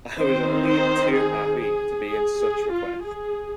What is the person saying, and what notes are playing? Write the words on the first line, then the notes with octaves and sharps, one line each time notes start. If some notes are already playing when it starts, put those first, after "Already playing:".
I was only too happy to be in such request.
D#3 C4 D#4 C5
C5
G#4
G#4
G#4
G#4
F4
G#4